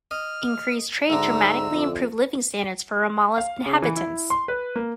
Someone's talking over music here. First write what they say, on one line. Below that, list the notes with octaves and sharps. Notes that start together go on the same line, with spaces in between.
Increased trade dramatically improved living standards for Ramallah's inhabitants.
D#5 F6
D2 G#2 D3 A#5 E6
F2
F5
C#3
E3
E4
C6
B4
A#3